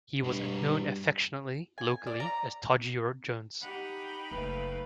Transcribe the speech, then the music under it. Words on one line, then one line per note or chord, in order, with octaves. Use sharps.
He was known affectionately locally as 'Todger' Jones.
G2 B2 G#3
G#5
D5
A#5
D#4 G4 F#5 G5 B5
F#1 A3 B4 F5